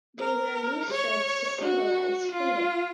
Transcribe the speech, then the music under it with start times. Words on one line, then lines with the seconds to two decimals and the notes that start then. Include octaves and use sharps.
They wear loose shirts to symbolize freedom.
0.19 A#4
0.90 C#5
1.62 F#4
2.31 F4